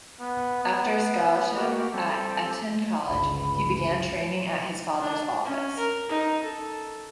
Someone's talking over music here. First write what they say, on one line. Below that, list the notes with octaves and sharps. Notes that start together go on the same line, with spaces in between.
After a scholarship at Eton College, he began training at his father's office.
B3
B3
A#3 F#4 G4
G3 C4 A4
G1 C#2 B5
D4
C#4
A#4
D#4
A4